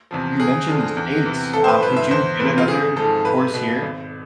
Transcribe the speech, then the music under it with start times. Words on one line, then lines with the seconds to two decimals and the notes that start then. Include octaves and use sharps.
You mentioned the States, uh, would you get another horse here?
0.11 E2 C3 F3
0.40 E2 G#4
0.68 D3 F3
0.97 E2
1.25 C3 E3
1.53 G#1 A4
1.64 C5
1.68 B4
1.82 F3 B4
1.86 G#2
1.97 E5
2.11 E2 C5
2.40 C3 E3 B4
2.58 F4
2.68 G#1 G#4
2.96 G#2 F3 A4
3.25 B1 B4
3.54 B2
3.82 G#1